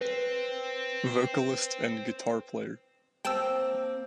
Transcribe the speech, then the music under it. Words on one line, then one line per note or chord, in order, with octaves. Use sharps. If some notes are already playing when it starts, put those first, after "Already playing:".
Vocalist and guitar player.
C4 B4
A#3 C4 G5 A5 E6